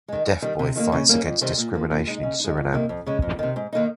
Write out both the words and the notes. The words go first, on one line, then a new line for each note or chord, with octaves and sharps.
A deaf boy fights against discrimination in Suriname.
D#3 G#3
G2
D#3 G3
C3
D#3 G3 A#3
C#3
G3 A#3 C#4
F2
C3 D#3 G3 C4
A#2
F3 A#3
A#2
G#3 D#4
C#3
G#3 D#4
F2
C3 D#3 A#3
F2
C#3 G#3
F2
C3 D#3
G#2
D#3 A#3 D#4